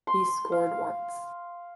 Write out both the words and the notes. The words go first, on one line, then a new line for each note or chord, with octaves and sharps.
He scored once.
C6
F5